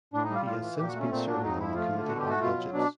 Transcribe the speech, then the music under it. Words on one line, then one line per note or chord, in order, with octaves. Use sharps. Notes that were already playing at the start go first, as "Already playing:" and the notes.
He has since been serving on the Committee on Budgets.
A2 D4
D#4
G3 F4
A2 F4
E3
A#2 G4
F#4
A3
C#4
A#2 C4
F#3 D4
F2 D#4
F3 E4
A3 F4
D3
B2 F#4
G4
A3
F#4
B2 F4
F#3
B2 D4